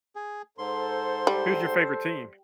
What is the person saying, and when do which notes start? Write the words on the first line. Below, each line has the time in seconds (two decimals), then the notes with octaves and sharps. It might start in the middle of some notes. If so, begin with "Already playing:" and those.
Who's your favorite team?
0.15 G#4
0.58 G#2 A4 C5 C6
1.27 G3